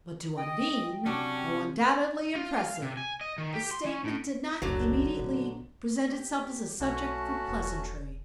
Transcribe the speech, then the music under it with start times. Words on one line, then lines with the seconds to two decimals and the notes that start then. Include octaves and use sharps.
But to Undine, though undoubtedly impressive, the statement did not immediately present itself as a subject for pleasantry.
0.37 D#5 G5
1.06 C3 F#3 C#4 D4
2.35 F4
2.59 F5
2.82 C3
2.97 G#5
3.21 D#5
3.38 D#3
3.54 G4
3.71 C6
3.86 C#4
4.04 A2
4.62 F#1 C#2 D3 F#3
5.19 A#1
6.10 G4
6.80 B1 A3 C#4 F#4 A5
7.49 E1